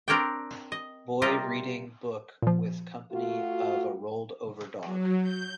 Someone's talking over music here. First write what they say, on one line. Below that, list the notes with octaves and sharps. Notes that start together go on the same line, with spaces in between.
Boy reading book with company of a rolled over dog.
C4 D4 A#4 C#5 D5 G5
D#5
C3 G3 F4 A#4 D#5
A#2 F3
A3 F4 F#4
F#3
G6